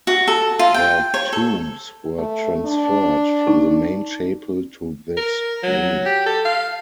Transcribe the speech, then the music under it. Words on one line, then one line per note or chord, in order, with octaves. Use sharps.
Their tombs were transferred from the main chapel to this room.
F#4
A4
F4
G5
C#5
A4
A3
D4
D#4
A#4
F#3
G4
A4
F5